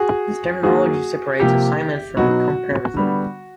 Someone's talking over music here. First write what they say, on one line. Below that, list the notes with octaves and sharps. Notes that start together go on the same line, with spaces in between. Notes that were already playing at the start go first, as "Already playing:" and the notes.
This terminology separates assignment from comparison.
Already playing: F#4 G#4
D#3 F#3 A#3 F#4 G#4
C3 F3 A#3 G4
B2 F#3 B3 D#4 F#4
D3 G3 B3